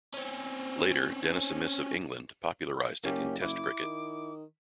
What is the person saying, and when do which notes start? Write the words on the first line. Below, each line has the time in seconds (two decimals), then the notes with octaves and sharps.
Later Dennis Amiss of England popularised it in Test cricket.
0.14 C4 C#4
3.04 F#1 A#3 C#4 G4
3.42 E4 D6
3.81 D#3